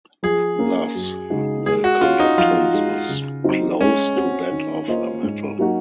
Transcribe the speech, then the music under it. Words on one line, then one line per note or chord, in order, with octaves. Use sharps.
Thus the conductance was close to that of a metal.
F3 G#4
A#3 C#4
F#2
C#3 G#3 D#4 F#4
G#3 G#4
F#4
C#4 F4 F#4 C#5
D#4
F3 F4
G#3 D#4 F#4
C#3
F#3 C4 D#4
G#3 C#4
C4 F#4
D#3
A#3 F4 C5 D#5
G#2
F#3 A#3 D#4 F#4